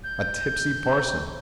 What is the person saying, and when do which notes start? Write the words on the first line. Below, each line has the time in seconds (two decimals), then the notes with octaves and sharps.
"A tipsy parson."
0.04 G6